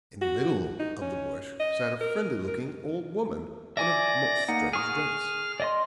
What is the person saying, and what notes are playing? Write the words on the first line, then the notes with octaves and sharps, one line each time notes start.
In the middle of the bush sat a friendly-looking old woman in a most strange dress.
F#4
D#4
C#4
D#5
A#4
A#4
D5 E5 G#5 D6 A#6
A#3 D#4 F#5
G#4 C#6 D#6 F6
D5 D#5 C6